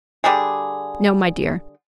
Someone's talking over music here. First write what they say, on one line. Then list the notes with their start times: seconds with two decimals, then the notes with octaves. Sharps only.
"No, my dear."
0.24 D3 G3 G#3 G#4